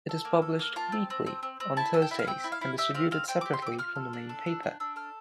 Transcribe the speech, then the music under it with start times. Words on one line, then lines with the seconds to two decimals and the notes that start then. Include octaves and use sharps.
It is published weekly, on Thursdays, and distributed separately from the main paper.
0.09 A4
0.25 A#3
0.42 A4
0.59 A#3
0.76 F4 A5
0.92 C4
1.10 C4
1.26 C4
1.43 C4
1.60 C4
1.77 E4 A5
1.94 A4
2.02 G5
2.11 E4 E5
2.19 F5
2.27 C4 G5
2.44 E4
2.52 F5
2.61 E4
2.78 G4 E5
2.94 C4 F5
3.11 C4 F5
3.28 C4 G5
3.41 D6
3.46 G4
3.54 C6
3.62 C4 D6
3.78 F4 F6
3.95 A4
4.13 D4
4.29 A4
4.46 D4
4.63 D4
4.80 D4 E6
4.96 A4 F6